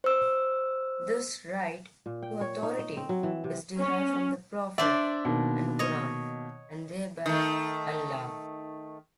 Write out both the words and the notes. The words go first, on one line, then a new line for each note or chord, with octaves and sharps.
This right to authority is derived from the prophet and Quran and thereby Allah.
C5 E6
A#2
G5
C#5
D#4
D#5
C4
F#3
E3
C3
C#4
D4 C5 D5 E5
B2 D#3 A#3
C#5 D#5
D#3 A3